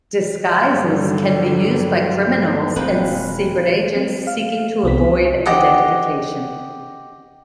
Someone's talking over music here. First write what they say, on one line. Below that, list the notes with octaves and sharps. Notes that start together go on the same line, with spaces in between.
Disguises can be used by criminals and secret agents seeking to avoid identification.
G2 D3 F#3 G3
D#1 G#3 A#3 C4 B4 G5
F#3 C4
F5
C2 B3 C4 B6
G4 D#5 F#5